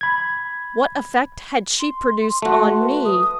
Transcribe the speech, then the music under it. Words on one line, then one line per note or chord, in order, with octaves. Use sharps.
What effect had she produced on me?
B5 G#6
C6
A3 F#4 C6
B4
D#6